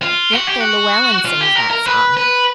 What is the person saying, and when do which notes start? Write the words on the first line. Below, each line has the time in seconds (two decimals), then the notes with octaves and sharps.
Gran'ther Llewellen sings that song.
0.02 F4
0.33 F#4
0.47 G4
0.60 F#4
1.25 F4
1.41 G4
1.55 A#4
1.71 A#4
1.86 B4
2.17 B4